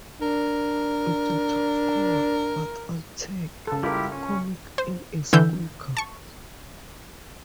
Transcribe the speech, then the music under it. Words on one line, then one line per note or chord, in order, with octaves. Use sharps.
It's a tough call, but I'll take 'Comic' in a squeaker.
D4 A#4
C#3 A4
G3 E4 F4 G4 A#4
C#4
C5
D3 E3 E6 G6
A5 C#6